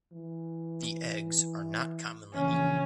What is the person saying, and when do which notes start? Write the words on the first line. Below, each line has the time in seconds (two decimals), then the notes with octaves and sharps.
The eggs are not commonly eaten.
0.12 E3
2.34 A#1 C#3 E3 C#4